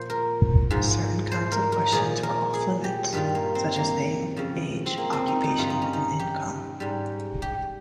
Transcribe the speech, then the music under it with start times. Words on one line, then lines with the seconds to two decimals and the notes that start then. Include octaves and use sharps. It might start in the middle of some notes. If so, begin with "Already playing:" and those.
Certain kinds of questions were "off-limits", such as name, age, occupation, and income.
Already playing: A#2 F3 C5
0.10 A#4
0.71 G#2 F3
1.32 C5
1.52 A#4
1.72 A#4
1.92 A#2 F3 G#4
2.23 A#4
2.54 G#4
2.84 G4
3.13 G2 D#3 G3 F4
3.35 A#3
3.55 C4
3.76 A#3
4.36 F2 C#3 F3
4.86 C4
4.98 A#3
5.13 C4
5.28 D#4
5.44 D#4
5.58 G2 F3 F4
5.70 D#4
5.82 C#4
5.93 D#4
6.19 G4
6.80 G#2 G3
7.42 G4